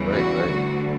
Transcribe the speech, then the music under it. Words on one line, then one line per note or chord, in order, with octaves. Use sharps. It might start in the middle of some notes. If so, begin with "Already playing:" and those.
Right, right.
Already playing: E2 C#3 E3 G3
F#4
D2 D3 G3